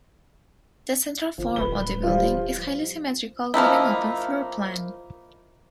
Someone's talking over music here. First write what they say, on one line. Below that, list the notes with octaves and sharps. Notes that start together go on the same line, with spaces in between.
The central form of the building is highly symmetrical with an open floor plan.
G1 F3
D1 B4 G7
F3 G3 F4
F3 A#3 D#4 E4